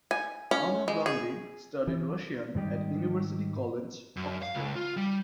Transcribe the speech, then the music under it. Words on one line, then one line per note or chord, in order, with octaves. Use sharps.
Anna Blundy studied Russian at University College, Oxford.
G#5
C#4
G#3
G#4
E3
G#2 D#3 G3 G4 D#5
F#2
F5
C#2
F4
G3